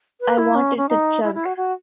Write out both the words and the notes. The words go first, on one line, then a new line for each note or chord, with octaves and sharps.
I want it to chug.
B4
E4
C#4
C#4
D#4
E4
E4
F#4
F#4